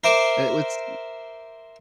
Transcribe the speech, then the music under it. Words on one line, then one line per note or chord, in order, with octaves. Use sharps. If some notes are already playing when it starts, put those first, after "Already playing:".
It was
A#4 C5 E5 D6